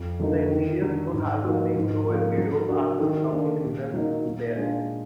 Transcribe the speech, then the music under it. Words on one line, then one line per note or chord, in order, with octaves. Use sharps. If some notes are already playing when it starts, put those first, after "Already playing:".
The interior floor has the same low albedo as the surrounding lunar mare.
Already playing: F2
D3 F#3 A#3 D#4
D#3
F#3 D4
G#2
F3 A#3 D#4 F#4
G#2
F3 A#3 F4
F#3
D4 F#4 A#4
D#3
A#3 D4
A#2
F#3 A#3 D#4
A#2
G#3 D4 F4